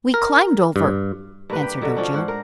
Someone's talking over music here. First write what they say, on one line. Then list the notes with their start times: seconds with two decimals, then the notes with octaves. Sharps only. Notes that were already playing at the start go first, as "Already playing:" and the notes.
"We climbed over," answered Ojo.
0.14 A#4
0.76 G2
1.50 G2 A#3 B4
1.62 G4
1.81 B2 D3 F#3
1.95 F3 C#4 D4 C5
2.13 G#2 C5 F#5
2.28 A#4